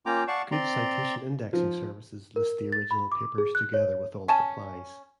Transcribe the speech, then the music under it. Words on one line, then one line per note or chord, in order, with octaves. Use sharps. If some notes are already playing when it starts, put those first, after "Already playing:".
Good citation indexing services list the original papers together with all replies.
A#3 C#4 F4 G5 A#5 D6
D5 F5 F#5 A5 C#6
C4 D5 A#5 C6
F3
A#4
A6
B5
D6
G#4
F#6
C#5
C#4 G#5 A5